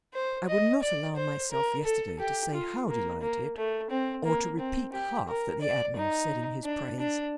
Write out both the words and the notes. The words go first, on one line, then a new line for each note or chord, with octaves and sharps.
I would not allow myself yesterday to say how delighted, or to repeat half that the Admiral said in his praise.
C5
D#5
D5
C5
A#4
A4
G4
F4
A#3
A#3
A3
C4
A#3
C4
G4
A#4
D5
D#4
D4
D4